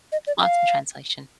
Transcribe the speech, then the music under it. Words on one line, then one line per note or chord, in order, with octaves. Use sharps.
lots of translation.
D#5
D5
F5